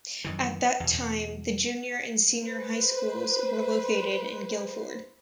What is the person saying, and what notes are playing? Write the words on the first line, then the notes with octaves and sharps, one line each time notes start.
At that time the Junior and Senior High Schools were located in Gildford.
F#2 D#3 E3
E2 B2
B4 C5